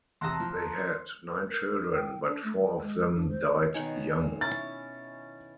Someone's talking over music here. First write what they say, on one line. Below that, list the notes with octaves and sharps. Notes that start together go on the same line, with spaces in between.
They had nine children but four of them died young.
E2 C3 A5 A#5 C6 D#6 F#6
F3
B4
A#4
G5
D4
A3
G5
G#3
D4
C5
B2 D#3 C#5 G#5
C#4 E4 A6